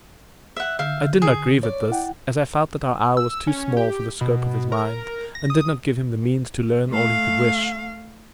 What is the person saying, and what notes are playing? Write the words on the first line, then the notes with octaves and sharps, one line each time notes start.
I did not grieve at this, as I felt that our isle was too small for the scope of his mind, and did not give him the means to learn all he could wish.
E5 F#5
D3 E5 F5 G6
G#4
C#5 D5
E4 F#5 G5
E6
C#4
G4
B2
A#4
A#6
D#6
A3 F5